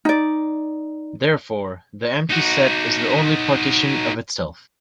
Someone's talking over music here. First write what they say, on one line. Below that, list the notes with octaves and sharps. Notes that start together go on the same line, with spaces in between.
Therefore, the empty set is the only partition of itself.
D#4 D5
D#4 F#4